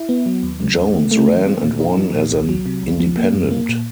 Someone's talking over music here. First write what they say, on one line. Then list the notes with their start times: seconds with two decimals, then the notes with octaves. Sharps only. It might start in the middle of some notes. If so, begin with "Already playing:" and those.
Jones ran and won as an independent.
Already playing: E4
0.09 B3
0.26 F#3
0.43 D#2
0.60 F#3
0.77 D#2
0.94 A3
1.11 A3
1.28 E3
1.46 C4
1.63 A#2
1.80 D#4
1.97 F3
2.14 A#2
2.31 C2
2.49 F#3
2.66 C3
2.83 C2
3.00 F3
3.17 A#3
3.34 F#2
3.51 A#3
3.69 A#2